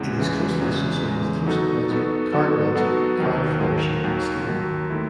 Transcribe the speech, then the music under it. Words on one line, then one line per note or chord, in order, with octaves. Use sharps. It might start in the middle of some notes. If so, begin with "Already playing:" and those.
It is closely associated with close-up magic, card magic, card flourishing and stealing.
Already playing: E2 C#3 E3 G#3
E2 C#3 E3 G#3
E2 C#3 E3 G#3
E2 C#3 E3 G#3
F#3 B3 D#4 F#4 A4
F#3 B3 D#4 F#4 A4
F#3 B3 D#4 F#4 A4
F#3 B3 D#4 F#4 A4
D#2 D#3 F#3
D#2 D#3 F#3
D#2 D#3 F#3
D#2 D#3 F#3
D#3 A3 E4